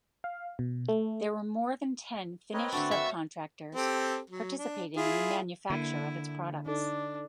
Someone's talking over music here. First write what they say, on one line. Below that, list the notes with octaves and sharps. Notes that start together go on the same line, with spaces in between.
There were more than ten Finnish subcontractors participating in the manufacture of its products.
F5
B2
A3
C4 A#4 B4 C#5 D#5
D3 A3 D4 F#4 A5
C#5 E5 F5
C4 G4 A4
F#3
D4
E4 F4 G#4
D3 A#3 E4
D3 D4 D#4 A4